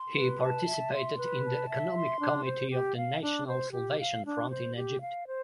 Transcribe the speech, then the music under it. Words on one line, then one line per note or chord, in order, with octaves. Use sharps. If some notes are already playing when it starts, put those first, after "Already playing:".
He Participated in the economic committee of the National Salvation Front in Egypt.
Already playing: C6
B4
A5
E5
C6
B4
A5
E5
C6
D4
C5
G4
F5
D4
C5
G4
F5
D4
C5
G4
F5
C5